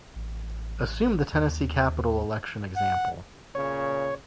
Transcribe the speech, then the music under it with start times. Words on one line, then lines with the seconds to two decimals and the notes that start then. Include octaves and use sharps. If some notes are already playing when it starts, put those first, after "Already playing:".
Assume the Tennessee capital election example.
0.15 A1
1.32 D#2
2.76 F#5
3.55 A#2 C#3 C#5